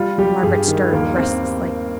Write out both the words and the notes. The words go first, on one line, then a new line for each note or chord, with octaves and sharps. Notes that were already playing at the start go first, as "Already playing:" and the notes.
Margaret stirred restlessly.
Already playing: G3 F4
G3 G4
G2 G#4
D#3
D#2 A#3
C4